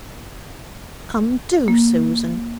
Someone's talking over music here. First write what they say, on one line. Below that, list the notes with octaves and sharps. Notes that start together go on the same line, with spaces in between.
Come, do, Susan.
A#3